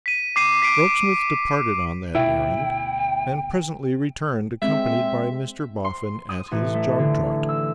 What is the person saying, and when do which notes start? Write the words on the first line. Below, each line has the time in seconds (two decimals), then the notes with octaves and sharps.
Rokesmith departed on that errand, and presently returned accompanied by Mr Boffin at his jog-trot.
0.06 B6 D#7
0.36 D6 C7 D#7
0.62 B6 C7 D7
2.15 D2 B2 E4 G5
4.62 G#3 C4 E5
5.85 C6
6.29 D#6
6.51 A1
6.74 A3
6.99 D3
7.49 E6